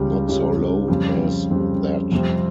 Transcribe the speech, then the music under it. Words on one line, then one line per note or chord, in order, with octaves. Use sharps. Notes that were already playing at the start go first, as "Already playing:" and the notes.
Not so low as that.
Already playing: C#2 C#3 G3 C#4 G4
C#2 C#3 G3 C#4 G4
F2 C#3 G3
F2 C#3 G3
F2 C3 G3 C4